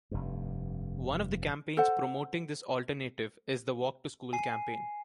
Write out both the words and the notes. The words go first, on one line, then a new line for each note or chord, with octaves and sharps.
One of the campaigns promoting this alternative is the walk to school campaign.
F1 G2
A4 C5 F#5
G#5 C7